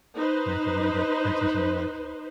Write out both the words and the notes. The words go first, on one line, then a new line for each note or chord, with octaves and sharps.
so I have to really, like, pay attention to, like,
D#4 B4 C5